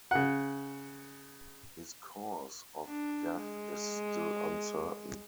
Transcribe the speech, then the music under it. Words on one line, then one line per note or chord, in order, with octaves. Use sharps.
His cause of death is still uncertain.
C#3 F#5
D4
G#3